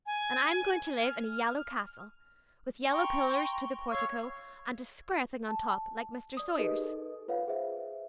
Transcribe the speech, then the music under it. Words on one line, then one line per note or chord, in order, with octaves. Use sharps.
And I'm going to live in a yellow castle, with yellow pillars to the portico, and a square thing on top, like Mr. Sawyer's.
G#5
F6
G5 A#5 C6 C#6
C#5 F5 C#6 E6
A5
D5 D#6
D#4 G4 G#4 A#4 B4 D#5
A4
F4 B4 C#5 F5 F#5
G#4 C5 E5